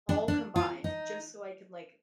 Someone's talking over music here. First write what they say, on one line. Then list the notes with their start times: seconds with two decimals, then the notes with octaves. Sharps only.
all combined, just so I can, like,
0.09 D4
0.28 D4
0.56 F4
0.84 D#4